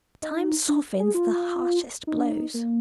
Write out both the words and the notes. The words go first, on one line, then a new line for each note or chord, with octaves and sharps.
'Time softens the harshest blows.
D#4
D4
G#4
F4
D#4
D4
D#4
A#3